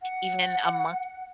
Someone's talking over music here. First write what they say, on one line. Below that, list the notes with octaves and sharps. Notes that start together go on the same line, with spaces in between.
even in among
F#5